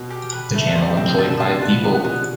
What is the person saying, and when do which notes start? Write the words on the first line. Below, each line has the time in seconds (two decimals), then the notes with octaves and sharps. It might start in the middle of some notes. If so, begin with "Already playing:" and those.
The channel employed five people.
Already playing: B2
0.10 G4
0.33 B4
0.54 A3
0.75 B2 C5
0.90 A2 C3
0.97 C4
1.04 A2 C3
1.18 B2 D3 A5
1.40 D3 F4
1.47 C3 E3
1.61 B2 D3 B4
1.78 F3
1.83 C3 E3 B3
2.04 B2 D3 B3